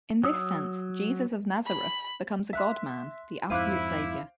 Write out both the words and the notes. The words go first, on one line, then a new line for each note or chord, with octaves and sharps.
In this sense, Jesus of Nazareth becomes a God-Man, the absolute saviour.
F#3 D#6 E6
B5
E5 C6 F#6 B6
F2 G#2 E4 C5 F5 D6 F#6 D#7